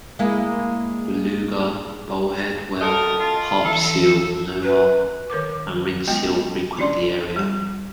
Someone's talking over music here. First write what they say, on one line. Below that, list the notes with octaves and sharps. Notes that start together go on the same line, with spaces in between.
Beluga, bowhead whale, harp seal, narwhal, and ringed seal frequent the area.
G#3 A#3 E4
F#4 A4 A#4 D#5
F4
E3 A4
B4
D#3 A#4 B4 D6
G#3 B3 F4 D#5 G5
C#4 D4 D5 C6
G3 G4